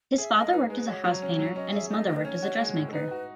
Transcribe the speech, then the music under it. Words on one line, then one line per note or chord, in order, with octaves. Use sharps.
His father worked as a house painter, and his mother worked as a dressmaker.
G#4 E5
G#3 D#5
D#4 B4
G#3 B4
F#4 C#5
F#3
C#4
F#3
C#4 D#5
G#4 E5
A3 D#5
D#3 D#5
B4
C#4 C#5
F#4
G#3
A2
A4
D#4 B4
F#4